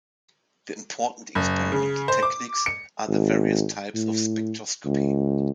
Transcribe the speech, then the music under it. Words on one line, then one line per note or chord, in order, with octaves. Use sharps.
The important experimental techniques are the various types of spectroscopy.
F#1
C#3
C5
D6
C#7
G#1
A2
C#2